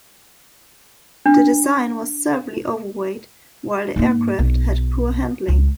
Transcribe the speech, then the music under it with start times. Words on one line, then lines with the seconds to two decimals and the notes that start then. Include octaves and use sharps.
The design was severely overweight, while the aircraft had poor handling.
1.26 D4
3.96 G#2 A#3
4.39 B1
5.48 C#2